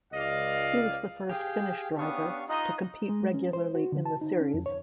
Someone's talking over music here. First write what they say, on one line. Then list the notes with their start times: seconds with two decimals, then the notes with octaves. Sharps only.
He was the first Finnish driver to compete regularly in the series.
0.13 C#2 D5 D#5 F5
1.29 G4 G#4 F5 G5
1.98 B3 C#4 D4 F5 C#6 D#6
2.49 D#4 F4 D#5 F#6
3.09 G#3
3.34 C#4
3.53 C5
3.75 F#4
3.92 D3
4.05 A5
4.21 D#4
4.40 C#4
4.54 F2
4.66 C#5